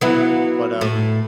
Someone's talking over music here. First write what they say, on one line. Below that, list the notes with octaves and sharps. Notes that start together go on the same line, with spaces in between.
But, um
F#3 B3 E4
A2